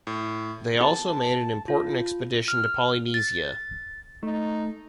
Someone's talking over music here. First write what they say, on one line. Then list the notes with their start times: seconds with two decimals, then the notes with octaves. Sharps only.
They also made an important expedition to Polynesia.
0.07 A2
0.80 A5
1.68 F4
2.48 F6
3.14 A6
4.23 A3 D#4